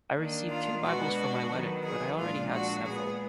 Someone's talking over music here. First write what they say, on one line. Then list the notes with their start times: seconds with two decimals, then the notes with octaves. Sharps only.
I received two bibles for my wedding, but I already had several.
0.16 D#3 A#3 D4
0.50 F4
0.83 B2 G#3 B3 D4 F#4
1.51 D#3 F#3 B3
1.85 G#4
2.19 A#2 F3 G#3 D4 F4
2.53 F#4
2.86 A#2 G#3 B3 G#4